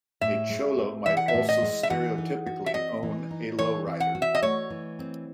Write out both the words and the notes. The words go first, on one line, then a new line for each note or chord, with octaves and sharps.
A cholo might also stereotypically own a lowrider.
A2 E5
G#3
C4
E3 E5
F#5
E5
A2
D#5
G#3
E5
E3 F#5
D#4
F#4
E5
C4 D#5
E3
D#4
E3 C#5
C4
F#5
F#4
E5
D#5
A3 C#5
E3
C4